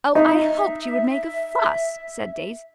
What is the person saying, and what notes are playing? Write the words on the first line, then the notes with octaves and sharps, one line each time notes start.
"Oh, I hoped you would make a fuss!" said Daisy.
D#4 E5